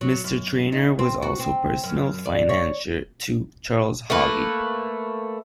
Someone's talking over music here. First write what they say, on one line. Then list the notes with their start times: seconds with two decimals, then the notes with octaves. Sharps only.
Mr. Traynor was also personal financier to Charles Haughey.
0.01 F#3
0.24 F#2
0.72 D#4
0.99 C4
1.22 F#4
1.39 C4
1.84 F#2
2.26 D5
2.49 C#5
4.10 A3 A#3 B4